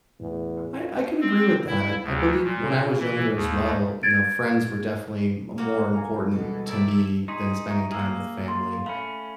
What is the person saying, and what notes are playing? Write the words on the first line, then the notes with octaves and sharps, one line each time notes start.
I I can agree with that, I I believe when I was younger, as well, you know, friends were definitely m more important to me than spending time with family.
E2 A2
C4
E4
D2
A#2
E3
D#2
G#6 A6 D7
A3 A#3 F#4
F5 G#5 A#5
D2 B2 E3 G3 G#3 A4
D#3 E4 D5 E5 A5 E6
D#4 G#4 C6 C#6 B6
E5 A#5 C#6
A#3 G#4 E6 F6
C6 A6
A3 C#4 F5 B5 F6